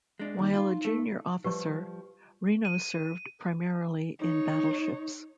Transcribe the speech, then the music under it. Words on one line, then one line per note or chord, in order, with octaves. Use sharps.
While a junior officer, Reno served primarily in battleships.
G#3 D4
D#2 D#4
D#4 F4
A3
F3 G3 G4 B4 C#6
D#7
D#4 C#5